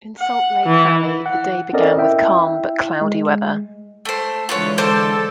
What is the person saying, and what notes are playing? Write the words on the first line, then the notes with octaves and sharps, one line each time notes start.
In Salt Lake Valley, the day began with calm but cloudy weather.
F#5
E3
F#5
C4 C#4 A4 A#4 D5 D#5
E4 E5 G5
G#3
A3 C5
D3 E3 G#3 F4 B4 C#5
A4 C5 C6 D6